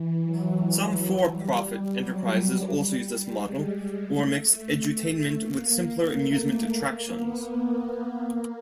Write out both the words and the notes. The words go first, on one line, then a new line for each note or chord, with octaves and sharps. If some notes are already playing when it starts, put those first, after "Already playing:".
Some for-profit enterprises also use this model, or mix edutainment with simpler amusement attractions.
Already playing: E3
F#3
G3
F#3
G3
G#3
A3
A#3
A3
A#3
B3
B3
A#3